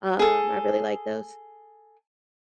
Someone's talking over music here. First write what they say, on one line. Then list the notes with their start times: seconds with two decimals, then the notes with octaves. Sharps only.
um, I really like those.
0.19 G#4 A4